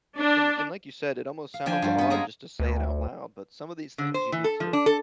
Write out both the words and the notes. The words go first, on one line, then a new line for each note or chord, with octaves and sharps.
And and like you said, it almost sounds odd just to say it out loud, but some of these things you need to
D4
F5
F3 D4 G5 G#5
G2 F4 F#4
B3 C#4
G#3 A#3 G#4 G#5 A#5
D2
D3
C5
E3
A4
F3
D4
A4